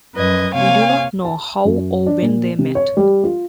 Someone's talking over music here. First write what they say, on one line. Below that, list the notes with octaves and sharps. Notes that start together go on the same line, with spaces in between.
We do not know how or when they met.
F#2 F3 B4 D#5 G#6
C3 A#3 C#5 F5 G#5
A5
F#2
D4
A#2
C3
C#5
G3
F4